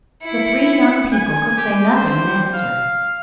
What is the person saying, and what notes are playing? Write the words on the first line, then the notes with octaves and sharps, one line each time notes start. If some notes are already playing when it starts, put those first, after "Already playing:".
The three young people could say nothing in answer.
E4 C#7
G#5
G4
C5
F5